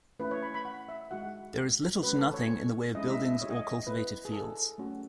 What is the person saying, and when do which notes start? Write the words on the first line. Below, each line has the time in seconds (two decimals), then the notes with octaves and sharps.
There is little to nothing in the way of buildings or cultivated fields.
0.19 A3 C#4 E4 B4
0.31 C#5
0.42 B5
0.54 B5
0.65 F#5
0.89 E5
1.11 G#3 D#4 F#4 F#5
2.03 G#3 C#4 F#4 B4
2.18 A4
2.34 C#5
2.95 G#3 C#4 E4 D#5
3.10 E5
3.25 E5
3.33 D#5
3.42 C#5
3.50 D#5
3.87 B3 E4 B4
4.25 G#4
4.32 A4
4.78 A3 C#4 F#4